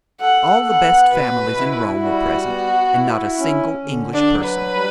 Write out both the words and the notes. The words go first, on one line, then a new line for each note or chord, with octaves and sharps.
All the best families in Rome were present, and not a single English person.
A4 F#5
B3 F#5
B2 B4
E4
G3 F#4
B3
E4
C#4
D3
D4
F#3
B4
G3